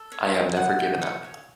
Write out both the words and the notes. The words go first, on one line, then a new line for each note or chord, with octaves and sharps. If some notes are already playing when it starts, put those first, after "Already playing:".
I have never given up.
Already playing: A4
C#5
E4
F#5
G5
C#6
C#5